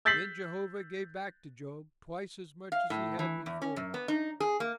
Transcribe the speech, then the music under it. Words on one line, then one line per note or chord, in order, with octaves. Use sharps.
Then Jehovah gave back to Job, twice as much as he had before.
E6 G6 A6 B6 C7 F#7
F5
A2
E3
E2
C#4
F#2
B3
D#4
G#4
A#3